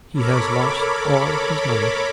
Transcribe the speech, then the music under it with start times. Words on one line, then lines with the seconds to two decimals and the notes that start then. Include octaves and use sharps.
He has lost all his money....
0.13 A4 A#4 C#5 B5 D6